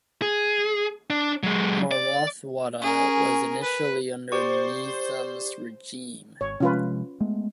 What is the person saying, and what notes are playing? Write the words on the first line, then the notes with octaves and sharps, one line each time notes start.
Marathwada was initially under Nizam's regime.
G#4
D4
F#3 G#3
D5
C#4 G#4 A#4
B4
G4 C5 D5 C#6
G#1 C#5
C3 F3 G#3 C#4 F4 B4
G#3 A3 B3